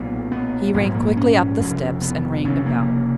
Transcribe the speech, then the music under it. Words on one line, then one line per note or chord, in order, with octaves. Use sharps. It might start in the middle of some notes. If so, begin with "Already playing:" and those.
He ran quickly up the steps and rang the bell.
Already playing: B1 A#2 B3
B3
A#1 G#2 G#3
A#3
C#4
F1 F2 C#3
B3
F1 F2 C#3 C#4
A#3